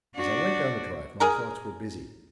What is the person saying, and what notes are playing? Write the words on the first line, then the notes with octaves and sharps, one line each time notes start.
As I went down the drive, my thoughts were busy.
D4 F#4
G#4 A#4 A#5